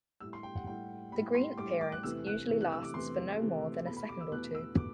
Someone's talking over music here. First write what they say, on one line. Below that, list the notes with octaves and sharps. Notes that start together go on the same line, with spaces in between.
The green appearance usually lasts for no more than a second or two.
A2 G3 E6
C6
G5
F#5
A2 G3 G5
A2 G3 B5
C6
A2 G3 D6
D6
F#6
E2 C3 E3 A3 E6
F#6
E2 C3 E3 A3
F#6
E6
D6
E2 C3 E3 A3 C6
E2 C3 E3 A3
E2 B2 A3 B5
B5
D6
E6
E2 B2 A3 F#6
E6
B2 A3 D6